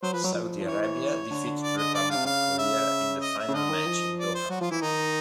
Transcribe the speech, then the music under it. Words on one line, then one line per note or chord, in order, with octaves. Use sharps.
Saudi Arabia defeated Republic of Korea in the final match in Doha.
F#3 C5
F3 B4
F#3
F3
F3
E3 C#5
C#5
D3
D3
D5
D#5
D5
C3 F5
C#3 F5
E5
D#5
E5
C#3
D3 D#5
D#3
F3
D5
C5
F#3 F#4
F3 F4
E3 E4
D#3 D#4